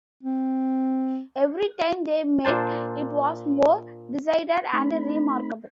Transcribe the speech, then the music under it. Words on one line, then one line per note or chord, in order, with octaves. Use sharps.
Every time they met, it was more decided and remarkable.
C4
A#2 D4 C5 A5
A3 C4 D#4 B5